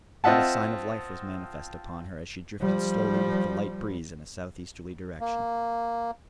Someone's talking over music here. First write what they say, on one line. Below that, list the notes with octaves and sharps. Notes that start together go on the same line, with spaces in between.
Not a sign of life was manifest upon her as she drifted slowly with the light breeze in a southeasterly direction.
C4 F4 D#5 E5 F#5 A5
F3 G3
A#3